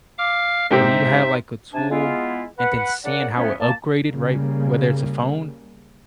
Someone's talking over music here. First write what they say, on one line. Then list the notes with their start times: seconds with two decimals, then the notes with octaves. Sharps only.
when you have, like, a tool, and then seeing how it upgraded, right? Whether it's a phone
0.18 F5 D6 F6
0.71 G#2 C3 C4 D#4 G4 C5 E5
1.73 C3 D4 G#5 A5
1.91 G#3 B3 E4 F4
2.59 B4 F#5
3.04 C#3 D4 A#4 D5 F#5
3.36 F3 A3 B3 C#4
3.60 A#3 A5
4.10 C#3 G3 A#3